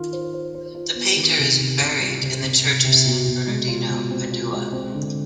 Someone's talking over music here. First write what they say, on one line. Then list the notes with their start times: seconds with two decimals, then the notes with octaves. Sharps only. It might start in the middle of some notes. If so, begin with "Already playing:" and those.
The painter is buried in the church of San Bernardino, Padua.
Already playing: D#3 F4
0.13 C5
0.34 C5
0.55 C5
0.75 F4
0.95 B3
1.16 D#3
1.38 C3
1.59 C3
1.80 C3
2.00 G3
2.22 C3
2.42 C3
2.64 C3
2.84 C3
3.05 B2
3.26 B2
3.47 G#3
3.68 F4
3.89 B2
4.11 C4
4.31 F4
4.53 G#3
4.73 C4
4.95 D3